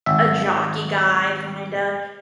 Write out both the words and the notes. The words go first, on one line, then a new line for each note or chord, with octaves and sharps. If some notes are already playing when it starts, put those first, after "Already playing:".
a jockey guy kinda,
G#1 E5